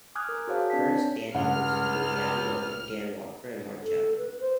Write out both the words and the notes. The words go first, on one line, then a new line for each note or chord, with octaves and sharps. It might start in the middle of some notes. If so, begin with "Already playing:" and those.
Current stand-in hosts include Gabby Logan, Dan Walker, and Mark Chapman.
G#5 D6 D#6 F6 F#6 G#6
A#4
F#4 G#4 C5 C#5 F5 A5
C4 D4 D5 A5 B6
C#5
C#2 G2 C#3 F#5 F6
A4
B4
C5